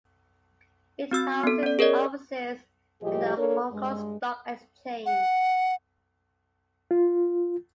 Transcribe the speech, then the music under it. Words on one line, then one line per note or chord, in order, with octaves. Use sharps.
It houses offices and the Hong Kong Stock Exchange.
C4 F#4 E6 A6
B3 A4
C#4 D5
G#4 A#4 C#5 D#5
A2 F3 G3 G4 G#4 D#5
A#3 D4 A4 A#4 C#5
G2 G#3
F#5
F4